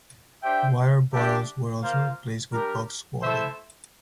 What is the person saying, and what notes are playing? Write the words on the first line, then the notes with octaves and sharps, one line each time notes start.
Water bottles were also replaced with boxed water.
D4 G4 C5 E5 G5
A3 D4 G4
A#3 F4 C5 F5
G3 D4 G4 A#4
A3 E4 A4 C5 E5